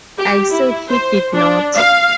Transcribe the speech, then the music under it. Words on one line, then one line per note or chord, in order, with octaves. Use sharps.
I said he did not.
G4
E4
C5
D4
F5